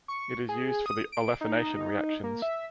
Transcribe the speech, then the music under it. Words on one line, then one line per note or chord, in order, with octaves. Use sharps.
It is used for the "olefination" reactions.
C#6
G#4
D#6
D7
D#4
A#3
E5